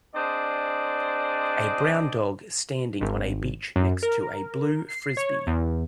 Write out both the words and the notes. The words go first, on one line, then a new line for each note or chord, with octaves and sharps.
A brown dog standing on a beach next to a blue Frisbee.
C4 D4 G#4 C5 D5 D#5
G#1
F#2
A#4
C7
C#5
E2